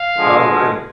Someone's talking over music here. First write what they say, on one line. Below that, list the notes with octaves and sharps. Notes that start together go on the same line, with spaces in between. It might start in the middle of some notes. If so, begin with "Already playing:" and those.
Oh, right.
Already playing: F5
D3 F3 G#3